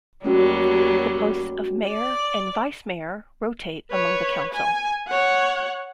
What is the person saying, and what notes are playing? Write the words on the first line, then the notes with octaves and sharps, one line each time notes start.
The posts of mayor and vice-mayor rotate among the council.
D#2 F#3 G3 A3 C#4 F#4
D5
B4 C#5
G#5
C#5 F#5